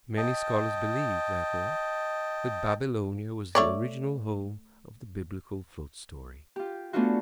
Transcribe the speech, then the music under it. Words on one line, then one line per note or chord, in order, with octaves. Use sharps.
Many scholars believe, therefore, that Babylonia was the original home of the Biblical flood story.
D#5 G5 A5
A3 C#5 D5
F4 G4
A3 B3 C#4 D4 F4 F#4